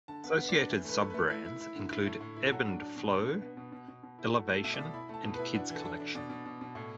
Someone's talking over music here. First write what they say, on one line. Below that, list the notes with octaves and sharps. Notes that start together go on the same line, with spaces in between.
Associated sub-brands include Ebb and Flow, Elevation and Kids Collection.
D3 A5
B3 F#5
B3
D5
D4
E3
A3 B4
A3
A3 B4
E4
E4
E4
D3
E4
A2
A2
E4
A4
F#3 F#4
D4
D4
B2
D4
B3
B3
B2
B2
B2
B2
E4
A3 F#4
A3 A4
B2 E5
B2 D5
E4 B5
A3 A5
B2
E4 B4
D4 F#4
E3
A4
D4
D4
B2 D5
B2
B2
B2
A2